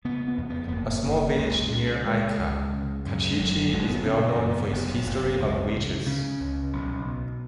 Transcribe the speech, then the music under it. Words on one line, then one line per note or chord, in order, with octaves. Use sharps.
A small village near Ica, Cachiche is well known for its history of witches.
C#3 B3
B3
F2
B3
B3
F#1 A#3
F#1
C#2
C#3
C#3 G#3
C#2
C#3
F#2
G#3
F#1 F#3
F#3
F#1 G#3
B3
C#3 C#4
A#3
F#2
B3
F#1 B3
F#1
C#2
C#3
C#3 C#4
C#2
B1
B2